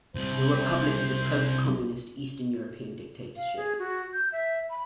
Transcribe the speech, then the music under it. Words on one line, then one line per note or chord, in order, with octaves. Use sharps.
The republic is a post-communist Eastern European dictatorship.
C2 C3 C5
F5
G#4
F#4
G6
E5
B5